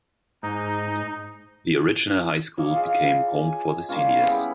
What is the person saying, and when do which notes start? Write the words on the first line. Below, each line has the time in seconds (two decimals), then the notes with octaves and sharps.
The original high school became home for the seniors.
0.43 G#2 D#4
2.57 C#5 D#5 F5 D6
2.74 F4 G#4 F5
3.39 G#5
3.89 G3 A#3 C#4 F4
4.21 B3 E4 G4 G#4